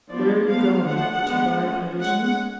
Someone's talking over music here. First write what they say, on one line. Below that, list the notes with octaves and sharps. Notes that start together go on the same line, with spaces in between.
"Where are you going--to buy provisions?"
F3 B3 D4 D5
F3 B3 D4 F5
F3 A3 D4 F#5
G#3 B3 D4
F3 A3 C#4
G#3 C#4 F#5